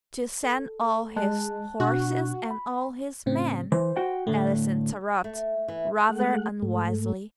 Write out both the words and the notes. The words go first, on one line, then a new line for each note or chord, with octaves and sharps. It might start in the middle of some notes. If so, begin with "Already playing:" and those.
'To send all his horses and all his men,' Alice interrupted, rather unwisely.
A4
G#3 A5 F#6
B2 D4 F#4 F#6
B5
A2 C#3 C4
E3 C5
F#4 F#5 G5
A2 D3 A3
A3
E3
G#3 A3 F#5
G#2 A3